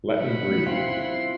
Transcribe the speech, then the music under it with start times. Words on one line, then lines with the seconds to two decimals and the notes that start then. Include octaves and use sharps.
Let me breathe!
0.18 F#5 B5
0.66 C4 E4 F4 C6